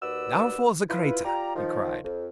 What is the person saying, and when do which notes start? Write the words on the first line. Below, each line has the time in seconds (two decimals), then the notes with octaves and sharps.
"Now for the crater!" he cried.
0.02 D#2 F#4 B4 D5 E6
0.89 E4 F4 B4
1.24 F4 G4 D5 A#5
1.56 D#3 F3
2.04 F2